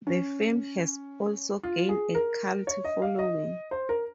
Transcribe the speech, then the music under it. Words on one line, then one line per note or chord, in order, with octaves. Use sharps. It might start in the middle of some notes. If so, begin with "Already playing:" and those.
The film has also gained a cult following.
C#4
F4
G#4
A#4
C#5
D#5
F5
D#5
C5
A#4